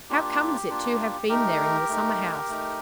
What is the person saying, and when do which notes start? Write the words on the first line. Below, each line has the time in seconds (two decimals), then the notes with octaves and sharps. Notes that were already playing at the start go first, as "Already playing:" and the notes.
How comes it to have been there in the summer-house?
0.09 A#3 D4 F4 G4
0.69 A#3 D4 F4
1.29 A3 D#4 G4 A#4
1.89 A3 D#4
2.49 A3 D#4